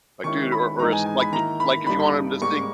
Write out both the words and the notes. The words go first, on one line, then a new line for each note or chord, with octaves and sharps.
like, dude or or it's like like if you want him to sing
D#3 G#3 C#4 E4 C#6
B5
G#2 E3 G#3 D#4 A#5
G#5
G#5
B5
D#3 A#3 E4 A#5
B5
G2 G3 A#3 D#4 B5
G#2 G3 A#3 C#6